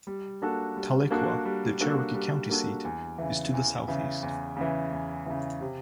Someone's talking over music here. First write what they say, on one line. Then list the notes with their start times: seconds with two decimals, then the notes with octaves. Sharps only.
Tahlequah, the Cherokee County seat, is to the southeast.
0.07 G3
0.42 A#3 D4 F#4 A4
0.77 G3
1.11 A#3 D4 F#4 A4
1.45 G3
1.80 A#3 D4 F#4 A4
2.14 G3
2.49 A#3 D4 F#4 A4
2.85 E2
3.18 C#3 E3
3.54 E2
3.88 C#3 E3
4.23 E2
4.57 C#3 E3
4.92 E2
5.26 C#3 E3
5.61 C3